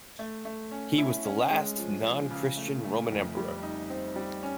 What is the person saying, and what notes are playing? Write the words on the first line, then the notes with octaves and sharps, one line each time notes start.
He was the last non-Christian Roman emperor.
A3
A3
C#4
E4
C#4
G#3
F3
F3
C#3
A3
A3
F2
G3
D#4
C4
G3
C#4